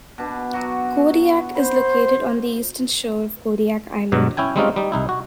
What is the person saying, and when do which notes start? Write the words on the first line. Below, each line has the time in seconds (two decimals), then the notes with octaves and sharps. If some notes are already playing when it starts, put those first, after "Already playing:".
Kodiak is located on the eastern shore of Kodiak Island.
0.18 B2 D4
0.53 F#3 F#4
1.55 C5 B5
4.12 G2 B2 F#3
4.37 C#4 E4 G5 G#5
4.56 G3 G#3 C4 C#4 D#4 F4
4.76 G3 D#4
4.92 C2 D#4 E4
5.09 F#4